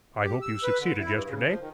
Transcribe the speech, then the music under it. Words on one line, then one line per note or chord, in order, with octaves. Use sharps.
I hope you succeeded yesterday.
G4
E6
B4
D3
E4
G2
C#3
F3
D#3